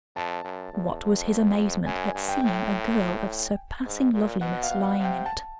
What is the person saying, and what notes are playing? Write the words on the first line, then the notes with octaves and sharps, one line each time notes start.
What was his amazement at seeing a girl of surpassing loveliness lying in it!
F2 A5
F#2
E2
F2
F#2 G#5
G2
G5
A2
G#2
A#2
B2 F#5
F5
B2
F#5
C3
G5
A5